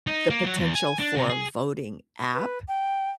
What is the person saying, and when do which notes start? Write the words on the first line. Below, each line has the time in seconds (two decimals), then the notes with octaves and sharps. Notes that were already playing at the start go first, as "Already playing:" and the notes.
the potential for a voting app,
0.07 D#4
0.30 A#3
0.44 F#3
0.59 E2
0.75 G#5
0.99 D4
1.16 C3
1.29 G#4
2.34 B4
2.68 G5